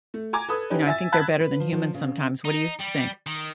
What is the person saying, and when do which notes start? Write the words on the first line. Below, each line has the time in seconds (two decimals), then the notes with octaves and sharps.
you know, I think they're better than humans sometimes, what do you think?
0.14 A3
0.33 G#5 A#5 D6 G#6
0.49 A4 B4 D#6
0.70 C#4 D#4 G4 B4
0.86 E5 G#5 E6 A6
1.12 A5 B5 F#6 G#6 A6 B6
1.40 B4
1.60 F3
1.72 F3
1.94 C#3
2.45 D#4
2.81 G3
3.27 D#3